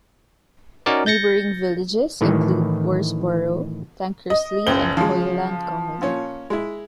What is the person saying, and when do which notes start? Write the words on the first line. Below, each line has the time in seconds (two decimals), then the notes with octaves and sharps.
Neighbouring villages include Worsbrough, Tankersley and Hoyland Common.
0.86 C#4 D#4 F#4 A#4 C#5 D5
1.06 G6 A6 A#6 C#7
2.21 A2 D#3 E3
4.30 D#5
4.67 F#1 C#2 C5 G5 G7
4.97 C#3 F3 G#3
6.01 A#2 C#4
6.50 G#3 E4